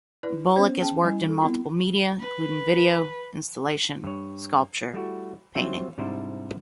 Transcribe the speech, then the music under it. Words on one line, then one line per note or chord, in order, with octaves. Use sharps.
Bulloch has worked in multiple media, including video, installation, sculpture, painting.
E4 B4 D5
B3 C#4 C5 C#5
C#4 G#4 G5 A5
G3 E4 G#5
A4
B3 C4 E4 F4
B4
G2 C#5
G3 A3 E4 F#4
F#3 G3 C4 F4 C5 E5
G#2 C3 G3 D4 E4 C5